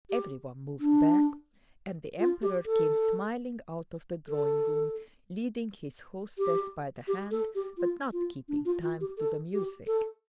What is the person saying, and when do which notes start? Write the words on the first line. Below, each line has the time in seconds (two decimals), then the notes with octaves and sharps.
Everyone moved back, and the Emperor came smiling out of the drawing room leading his hostess by the hand but not keeping time to the music.
0.10 G4
0.80 D4
2.19 F4
2.42 G4
2.66 A4
4.28 A4
6.38 G4
7.08 G4
7.31 A4
7.55 G4
7.77 F4
8.13 F4
8.48 D4
8.65 F4
8.82 F4
9.01 G4
9.18 A4
9.53 G4
9.87 A4